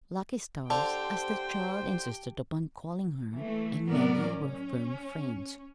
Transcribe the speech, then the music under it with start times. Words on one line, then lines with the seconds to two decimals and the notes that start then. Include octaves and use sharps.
"Lucky Stars," as the child insisted upon calling her, and Maggie were firm friends.
0.70 D3 G4 C5 G5 A5
3.36 E3 A3
3.86 A2 F#3 B3 A#4 D5
4.32 C#4